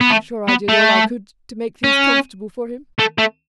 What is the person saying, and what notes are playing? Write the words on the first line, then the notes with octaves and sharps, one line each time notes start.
I'm sure I did all I could to make things comfortable for him.
B3
A3
B3
A3
C#4
A3
A3